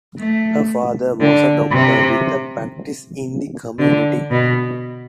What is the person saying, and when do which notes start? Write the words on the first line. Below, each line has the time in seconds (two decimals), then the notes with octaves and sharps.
Her father was a doctor with a practice in the community.
0.18 A3
1.21 D3
1.72 C3
3.78 D3
4.30 B2